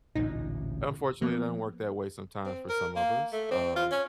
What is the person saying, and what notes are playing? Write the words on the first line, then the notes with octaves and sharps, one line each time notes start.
unfortunately, it doesn't work that way sometimes for some of us, um,
A1 D2 A#2 D#4
F3 A#3 B3
C4
A#4
A#3
A3
C4
F4
C#4